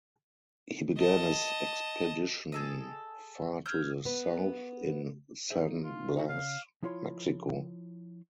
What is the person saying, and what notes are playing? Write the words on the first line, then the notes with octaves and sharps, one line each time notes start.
He began his expedition far to the south in San Blas, Mexico.
D#5 A5
G#4 A4 D#5
E6 F6 G6 G#6
B3 B4
G#4 C5 E5
D#4
F4
D#4 F#4
C#3 F5
F3 E4 F4 C#5 C6